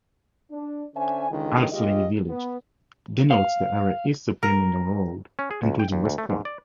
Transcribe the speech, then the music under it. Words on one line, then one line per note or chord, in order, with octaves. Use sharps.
Allesley Village denotes the area east the Birmingham Road, including West Point.
D4
D3 C#4 C5 E5 G#5
C#2 D3 D#3
D#2 G#3 F4 G4 D#5
B3
F5
A#4
C#4
G#4
C#2
G5
D#2
D2
A3
G#2
D5